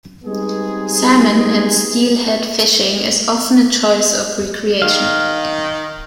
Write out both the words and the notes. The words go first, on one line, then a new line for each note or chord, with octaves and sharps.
Salmon and steelhead fishing is often a choice of recreation.
G3 G#3 B3 C4 D#4 G#4
D#3 F5